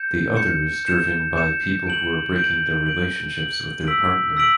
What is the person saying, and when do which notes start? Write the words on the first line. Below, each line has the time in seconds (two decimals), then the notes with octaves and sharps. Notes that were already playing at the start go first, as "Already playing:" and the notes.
The others driven by people who are breaking their relationships with their partner.
Already playing: G6 C#7 E7
0.36 G6 C#7 E7
0.85 G6 C#7 E7
1.36 G6 C#7 E7
1.87 G6 D7 F#7
2.36 G6 D7 F#7
2.86 G6 D7 F#7
3.37 G6 D7 F#7
3.87 E6 B6 D7 F#7
4.37 E6 B6 D7 F#7